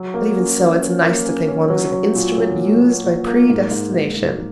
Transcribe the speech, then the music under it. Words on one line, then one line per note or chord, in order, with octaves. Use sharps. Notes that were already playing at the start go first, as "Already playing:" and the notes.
But even so, it's nice to think one was an instrument used by predestination.
Already playing: F#3
A#3
C#4
C#4
C#4
A#3
C#4
C#4
F#3
F#3
A#2
F#3
A#3
F#3
A#2
A#3
G#2
G#2
G#2
G#2